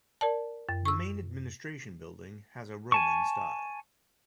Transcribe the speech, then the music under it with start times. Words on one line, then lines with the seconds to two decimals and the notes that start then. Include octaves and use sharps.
The main administration building has a Roman style.
0.21 A#4 D5 A5
0.69 F#2
0.85 C#6 E6
2.92 G#5 A5 C#6